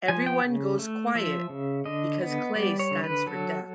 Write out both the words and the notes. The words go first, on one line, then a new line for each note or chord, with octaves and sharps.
Everyone goes quiet, because clay stands for death.
F3 G#5
G5
C#3
A3
F3 E5
C#3
D3 D#5
B3
G3 D5
C#5
D3
B4
F#3 A4